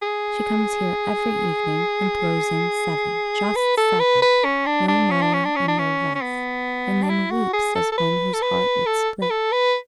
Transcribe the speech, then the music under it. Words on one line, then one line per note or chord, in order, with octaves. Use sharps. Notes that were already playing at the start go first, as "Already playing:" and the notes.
She comes here every evening and throws in seven--just seven, no more and no less--and then weeps as one whose heart would split.
G#4
B4
A4
B4
B4
C#4
D4
D4
C#4
D4
C#4
D4
C#4
D4
C#4
C#4
B3
D4
E4
F#4
G#4
A4
A4
B4
A4
B4
A4
B4
A4
B4